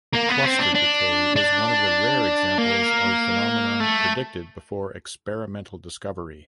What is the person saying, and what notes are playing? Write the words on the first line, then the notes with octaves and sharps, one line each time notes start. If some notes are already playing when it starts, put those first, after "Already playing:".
Cluster decay is one of the rare examples of phenomena predicted before experimental discovery.
A#3
B3
C4
D4
D4
D4
A#3
A3